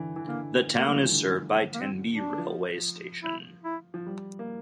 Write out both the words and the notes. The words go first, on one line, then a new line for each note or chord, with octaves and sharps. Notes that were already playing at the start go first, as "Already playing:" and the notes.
The town is served by Tenby railway station.
Already playing: D3 E3
E3
D3 A#3
A#3
A3
G3
F3
E3
D3
A3
A#3
C4
D4
F3
E4
E4
F3
G3
A#3